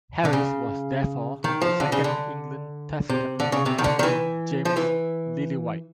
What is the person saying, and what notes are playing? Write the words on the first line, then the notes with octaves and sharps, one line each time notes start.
Harris was therefore the second England Test captain after James Lillywhite.
D3
C#3
D#3
F3
D3
C#3
D3
C3
D3
C#3
C3
D#3
D3
D#3
E3
F3
E3